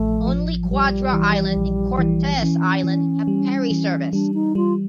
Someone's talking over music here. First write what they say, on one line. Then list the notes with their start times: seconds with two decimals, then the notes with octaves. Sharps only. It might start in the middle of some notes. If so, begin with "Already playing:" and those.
Only Quadra Island and Cortes Island have ferry service.
Already playing: A1 F3 A3
0.27 F3
0.64 F#3
0.70 A#1 G3
1.13 E3
1.56 A#1
1.98 E3
2.36 C4
2.41 E3 C#4
2.84 E3
3.28 G3
3.71 E3
4.13 G3 D4
4.34 D#4
4.55 G3 F4